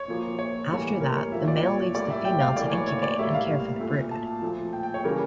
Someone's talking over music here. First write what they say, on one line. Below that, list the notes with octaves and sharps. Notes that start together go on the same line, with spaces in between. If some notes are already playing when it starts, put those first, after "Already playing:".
After that, the male leaves the female to incubate and care for the brood.
Already playing: C#5
A#2 F3 A#3
C#5
A2 E3 G3 A#3
A#4
C#5
A#2 F3 A#3 E5
D5
C#5
A2 G3 A#3 D5
E5
G5
F5
A2 E3 A#3 D5
C#5
C#5
D5
A2 G3 A#3 E5
F5
A#2 A3
A5
A#2 F3 A3
G5
G5
C#5
C#3 E3 G3 A#3 A#4